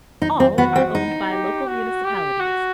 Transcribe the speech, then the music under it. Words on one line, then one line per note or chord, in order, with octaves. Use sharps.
All are owned by local municipalities.
D#4
C4
B3 F#4
C4
D#4
G4
F#4
G4
F#4